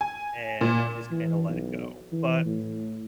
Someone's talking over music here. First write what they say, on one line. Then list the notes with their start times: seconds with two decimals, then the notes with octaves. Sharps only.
and I just kinda let it go, but,
0.01 G#5
0.61 A#2
1.11 E3
1.49 B1
2.13 E3
2.45 A2